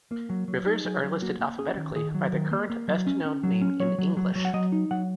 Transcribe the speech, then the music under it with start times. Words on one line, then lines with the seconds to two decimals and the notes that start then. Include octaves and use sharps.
Rivers are listed alphabetically by their current best-known name in English.
0.11 A#3
0.29 F#3
0.48 F#3
0.67 D#4
0.85 F#3 G#4
1.03 F#3
1.22 A#3 F#4
1.40 A#3
1.59 C#4 G#4
1.77 D#3
1.95 D#3 G#4
2.14 F#3
2.32 D#3 A#4
2.51 A#3
2.70 A#3
2.88 F#3
3.07 C#4
3.25 C#4
3.43 F#3
3.61 C#4
3.80 F#3 C#5
3.98 F#3
4.17 F#3
4.35 F#3
4.45 F#5
4.54 F#3 D#5
4.72 D#4
4.91 F#3 F#5